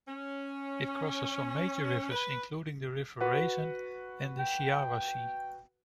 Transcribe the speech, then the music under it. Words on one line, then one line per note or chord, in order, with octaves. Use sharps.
It crosses some major rivers, including the River Raisin and the Shiawassee.
C#4
B4
F#4 B4 F#5
G5